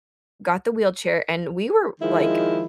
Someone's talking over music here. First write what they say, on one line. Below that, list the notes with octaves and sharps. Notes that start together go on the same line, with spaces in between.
got the wheelchair, and we were, like
D#3 F3 G#3 E4